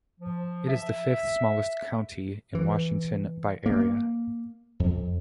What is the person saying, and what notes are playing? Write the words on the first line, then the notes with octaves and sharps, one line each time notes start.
It is the fifth-smallest county in Washington by area.
F3
E5
E3
A#3
F2